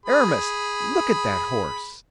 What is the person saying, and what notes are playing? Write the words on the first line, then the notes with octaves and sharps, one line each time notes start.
"Aramis, look at that horse!"
G#4 B5